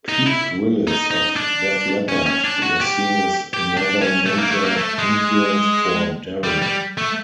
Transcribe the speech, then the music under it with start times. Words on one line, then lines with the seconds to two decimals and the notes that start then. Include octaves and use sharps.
Pete Willis of Def Leppard was seen as another major influence for Darrell.
0.09 D#4
0.27 E4
0.87 D#4
1.11 D#4
1.36 D4
2.09 C#4
2.26 C#4
2.44 D4
2.63 F#4
2.81 G4
3.54 G4
3.77 D4
4.02 C#4
4.26 A3
4.39 A#3
4.51 A3
4.65 A#3
4.77 A3
4.99 G#3
6.44 G3
6.62 G3
6.98 A3